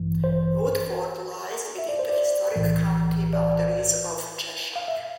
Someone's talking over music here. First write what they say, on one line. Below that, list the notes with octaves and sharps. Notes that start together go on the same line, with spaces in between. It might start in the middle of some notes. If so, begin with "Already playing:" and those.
Woodford lies within the historic county boundaries of Cheshire.
Already playing: A1 G2 E3
C5
E5
D5
C5
D5
B1 A2 E3
D5
F5
E5